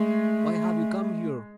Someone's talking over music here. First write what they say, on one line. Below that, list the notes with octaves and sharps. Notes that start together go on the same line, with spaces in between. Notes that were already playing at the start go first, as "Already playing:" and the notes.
Why have you come here?
Already playing: G#3 A3